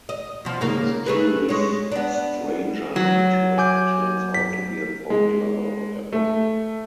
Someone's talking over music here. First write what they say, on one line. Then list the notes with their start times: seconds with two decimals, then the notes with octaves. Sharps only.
A mysterious stranger named Rick turns out to be an old lover of Apple.
0.09 D#5
0.45 B2 F3
0.61 G#2 C#3 A#3
1.06 A3 G#4 B4
1.49 G#3 C#5
1.92 B3 D4
2.96 F#3
3.58 G#5 D6 G6
4.34 B6
5.10 G#3
6.13 A3